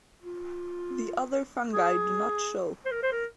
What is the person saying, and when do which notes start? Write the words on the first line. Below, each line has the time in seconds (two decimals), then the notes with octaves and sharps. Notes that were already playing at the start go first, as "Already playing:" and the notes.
The other fungi do not show.
0.22 F4
1.72 G#4
2.86 C5
2.91 A#4
3.03 C5
3.12 A#4